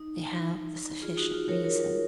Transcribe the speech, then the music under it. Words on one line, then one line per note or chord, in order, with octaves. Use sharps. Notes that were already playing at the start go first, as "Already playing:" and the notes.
We have the sufficient reason.
Already playing: D#4
F4 G#4
D#4 F#4
F4
A#4 C#5
A#4 C#5